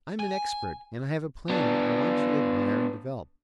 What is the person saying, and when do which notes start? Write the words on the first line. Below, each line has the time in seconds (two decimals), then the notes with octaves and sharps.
I am an expert and I have a plan I want you to admire and develop.
0.19 G#5
1.49 B3 D4